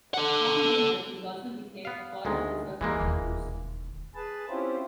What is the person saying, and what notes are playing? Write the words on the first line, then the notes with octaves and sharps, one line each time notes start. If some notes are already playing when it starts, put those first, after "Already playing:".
Mount Girnar is also declared a forest reserve for Bamboos.
A4 F#5
B3 F5
D2 D#3 G#3
D2 E3 G#3 A#3 E4
E1 D#2
G#4 B4 A5
C4 C#4 E4 F4 G4 C5